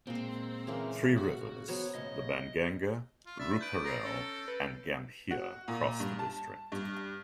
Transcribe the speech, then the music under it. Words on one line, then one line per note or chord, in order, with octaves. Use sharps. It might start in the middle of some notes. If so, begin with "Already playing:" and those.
Three rivers, the Ban Ganga, Rooparel, and Gambhir, cross the district.
A#2 G#3 C4
C#3 E3 A#3
F#4
F#3 B3 C5 C#5
A2 C#3 D#5
F4
D4 E5 A6
B4 G6 D7
B4 A#5 A#6 C7
C#4 A4
B4
F#4
A#2
G2
A5
G2